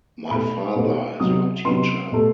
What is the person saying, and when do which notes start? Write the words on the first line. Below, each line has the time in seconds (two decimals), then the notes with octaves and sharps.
My father is your teacher.
0.30 B2 A3 D#4 B5
0.75 B2 A3 D#4
1.20 C3 F#3 B3 D#4 D#6
1.64 C3 F#3 B3 D#4 C6
2.12 B2 A3